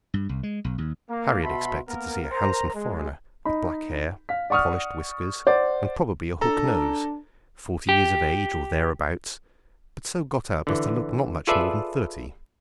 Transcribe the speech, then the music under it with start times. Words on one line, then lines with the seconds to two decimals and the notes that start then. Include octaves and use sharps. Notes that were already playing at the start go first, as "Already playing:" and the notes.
Harry had expected to see a handsome foreigner, with black hair, polished whiskers, and probably a hook nose--forty years of age or thereabouts, but so got up as to look not much more than thirty.
0.14 G2
0.29 C2
0.43 G#3
0.64 B1
0.78 D#2
1.10 A#3
1.44 B2 F#4 E5 A5 B5 C6
1.88 A#3 B3 A#4
2.32 A#4 C5 A#5
2.75 G#3
3.45 D#4 B5
4.29 F5 B6
4.50 D5 F#5 C#6 D#6 F6
5.47 C5 D5 F#5
6.41 D4 A4 A#5
7.89 G4
10.67 D3 E3
11.47 F4 G#4 A4 B4 D5 E5